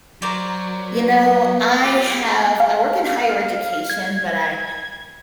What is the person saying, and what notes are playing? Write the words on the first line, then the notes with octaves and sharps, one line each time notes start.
You know, I have I work in higher education, but I,
F#3 A#4 C5 D5
B4
G#3 F4 G4
F5
G#6